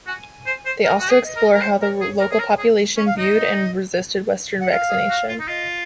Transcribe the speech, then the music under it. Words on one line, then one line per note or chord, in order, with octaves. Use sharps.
They also explore how the local population viewed and resisted western vaccination.
F#4 G#5
C5
C5
A#4 G#5
F#4
G#4
D#5
A#4
A#4
C5 C#5
A#4
G#4
A#4
G#4
A#4
G#4
C#4
F5
D#4 D#5
F#5
F4 F5
G#4
F#4
F4
D#4
F4 D#5